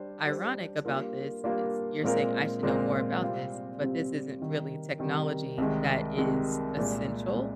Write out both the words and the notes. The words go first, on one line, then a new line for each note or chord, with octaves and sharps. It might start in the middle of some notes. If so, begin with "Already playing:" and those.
ironic about this is you're saying I should know more about this, but this isn't really technology that is essential,
Already playing: G3 D4 G4 C5
G3 D4 G4 C5
G3 A#3 D4 F4 A#4
G3 A#3 D4 F4 A#4
A#2 G#3 C4 F4 A#4
A#2 G#3 C4 F4 A#4
C3 G3 C4 F4
C3 G3 C4 F4
C3 D#3 G3
C3 D#3 G3
C2 C3 D#3 G#3
C2 C3 D#3 G#3
C2 A#2 G#3
A#2 G#3